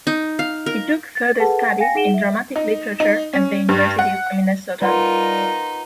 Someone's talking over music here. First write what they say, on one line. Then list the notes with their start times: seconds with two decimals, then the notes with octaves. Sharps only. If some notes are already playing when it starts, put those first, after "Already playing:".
He took further studies in dramatic literature at the University of Minnesota.
0.07 D#4
0.39 F5
0.66 A#4
1.15 A6
1.38 G#4 A4 B4 F#5 A5
1.60 F#5
1.79 F5 G5 G#5 A#6 C#7
1.95 D#4 G#4 F#5 D7 E7 G7
2.14 E5
2.56 D#4
3.00 D#4
3.33 C#4
3.69 G2
3.99 F#5
4.82 G3 D#4 F4 A#4 B4 F#5 C6